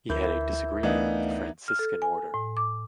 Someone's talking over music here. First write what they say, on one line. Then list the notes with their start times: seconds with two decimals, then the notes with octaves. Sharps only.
He had a disagreement with the Franciscan order.
0.09 D2 E3 A#4 G6
0.83 E3 A3 B3 D4 D#4 D#5 F5
1.68 F6
1.79 A4
2.02 G#5
2.34 A2
2.57 D6